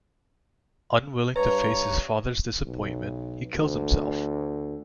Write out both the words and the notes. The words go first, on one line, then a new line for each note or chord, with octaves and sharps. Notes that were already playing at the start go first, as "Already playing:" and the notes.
Unwilling to face his father's disappointment, he kills himself.
G2 B4 C#5 A#5
B1
D2